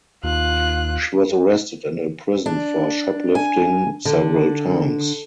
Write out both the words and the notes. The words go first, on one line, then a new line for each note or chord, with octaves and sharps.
She was arrested and imprisoned for shoplifting several times.
D#2 F4 F#6
D4
G#5
D3